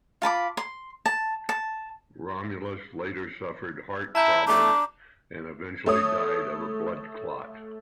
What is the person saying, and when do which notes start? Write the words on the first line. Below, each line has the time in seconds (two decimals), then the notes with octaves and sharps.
Romulus later suffered heart problems and eventually died of a blood clot.
0.22 F4 A5 B5 D6
0.57 C6
1.06 A5
1.49 A5
4.15 E4 E5 A5 A#5 G6
4.48 A3 D4 D6
5.86 A3 C#5 D#6